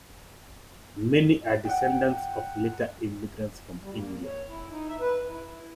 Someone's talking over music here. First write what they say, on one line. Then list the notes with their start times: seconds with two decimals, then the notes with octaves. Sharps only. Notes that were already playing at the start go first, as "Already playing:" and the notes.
Many are descendants of later immigrants from India.
1.65 F#5 G5
3.82 G3
3.95 A#3
4.24 C#5
4.48 E4
4.69 D#4
4.88 E5
5.00 B4
5.29 E4